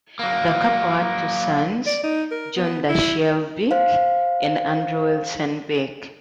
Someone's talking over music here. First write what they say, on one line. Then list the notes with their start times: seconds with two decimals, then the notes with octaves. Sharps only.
The couple had two sons, John Dashiell Bick and Andrew Wilson Bick.
0.19 F#3 A#3
1.86 D5
2.03 D#4
2.31 A#4
2.57 B3
2.89 E4
3.71 C5 F5